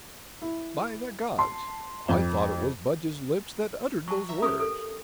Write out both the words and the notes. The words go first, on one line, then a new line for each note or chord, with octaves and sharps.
"By the gods, I thought it was Budge's lips that uttered those words."
E4
A5 C6
F2
F#3 A5 C#6
E5 A#5
C#4 G4 A#4 D#6
A4